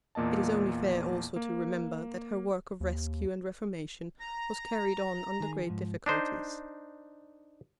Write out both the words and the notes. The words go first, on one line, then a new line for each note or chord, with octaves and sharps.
It is only fair also to remember that her work of rescue and reformation was carried on under great difficulties.
E2 A#2 A#3 D#5 A5
A#3
D#2
A#5
D#3 G#4
G#2 F3
D4 D#4 C5